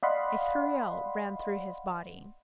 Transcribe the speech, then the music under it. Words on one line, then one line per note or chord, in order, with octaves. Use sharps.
A thrill ran through his body.
D5 D#5 F5 F#5 B5 C6